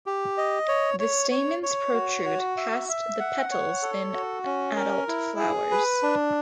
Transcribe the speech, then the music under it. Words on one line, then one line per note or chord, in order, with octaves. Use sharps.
The stamens protrude past the petals in adult flowers.
G4
D#5
C#5
C#5
C#5
C#5
F#4
F#4
E5
E5
F#5
C#5
A4
F#4
C#4
A#4
E4
G#4
B4
D4